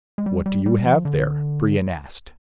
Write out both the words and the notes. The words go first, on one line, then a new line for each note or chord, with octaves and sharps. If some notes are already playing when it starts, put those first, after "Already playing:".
"What do you have there?" Brion asked.
G#3
G3
G3
G3
F3
D3